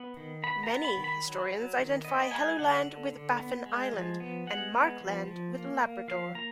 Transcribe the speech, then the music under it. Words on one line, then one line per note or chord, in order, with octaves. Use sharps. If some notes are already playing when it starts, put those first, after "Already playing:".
Many historians identify Helluland with Baffin Island and Markland with Labrador.
Already playing: B3
D#3
B3 B5
A#5
B3
B5
D#3
B5
F#3
F#3
D#3
B3 D#5
G#3 G#5
D3 F#5
D3
D3
B3
G#3
F3
B3
G#3 F#5
B3
F3
F3
A#3
A#3
F3 F5
A#3 A#5